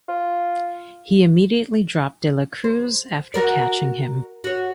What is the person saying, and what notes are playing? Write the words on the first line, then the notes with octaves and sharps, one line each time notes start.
He immediately dropped de la Cruz after catching him.
F4
C5
F#4 A#4 D5
F#4 C#5